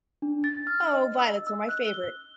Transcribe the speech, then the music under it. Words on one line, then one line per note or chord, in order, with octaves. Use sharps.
Oh violets are my favourite!
D4
A6
F6
D#5
E6
E6
F#6
G7